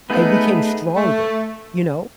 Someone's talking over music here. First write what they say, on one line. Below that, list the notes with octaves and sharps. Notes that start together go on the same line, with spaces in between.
I became stronger, you know.
A3 B3 D#4 G#4 B4
A3